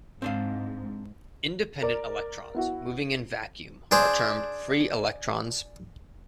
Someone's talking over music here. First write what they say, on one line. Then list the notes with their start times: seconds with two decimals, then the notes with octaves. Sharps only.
Independent electrons moving in vacuum are termed "free" electrons.
0.22 G#2 C4 D4 F5
1.82 A#4 D5
2.54 B3 E4 F#4
3.91 D4 G#4 C5